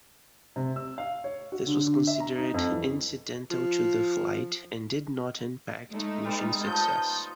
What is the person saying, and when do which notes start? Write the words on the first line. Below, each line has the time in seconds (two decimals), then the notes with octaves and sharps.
This was considered incidental to the flight and did not impact mission success.
0.56 C3
0.76 E6
0.98 F5
1.24 C#5
1.52 F#4
1.67 D3
1.84 D3
2.07 E5
2.20 A#5
2.38 D#4
2.54 F2
2.72 E3
3.51 F3
5.92 G#3 A3 D#4
6.25 G3 B3
6.64 F3 D#4 F4 G6